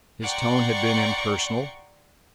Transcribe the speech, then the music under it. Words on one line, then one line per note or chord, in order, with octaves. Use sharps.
His tone had been impersonal.
D5 F#5 G5 A#5 C6 C#6